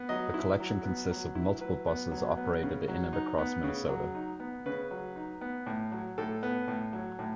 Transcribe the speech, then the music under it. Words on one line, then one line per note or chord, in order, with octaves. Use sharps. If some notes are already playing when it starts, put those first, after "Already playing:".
The collection consists of multiple buses operated in and across Minnesota.
Already playing: B3
F#3 D#5
E4
F#3
B3
F#3
E4
F#3 B4
B3
F#3
B3
C#3
F#3
D#4
B3
C#3
F#3
D#4
B3
C#3 B4
F#3
D#4
B3
A2
F#3
A2 A4
B3
A2
F#3
A2